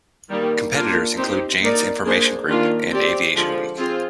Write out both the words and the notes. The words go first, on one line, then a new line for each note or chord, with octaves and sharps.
Competitors include Jane's Information Group and "Aviation Week".
D#3 G3 A#3
A#3 D4 F4 A#4
C4 D#4 G4 C5
A#3 D#4 A#4 D5
A#3 D4 G#4 C5
D#3 A#3 D4 F4
C4 G4 D5
D3 F3 G#3
C4 F4 G#4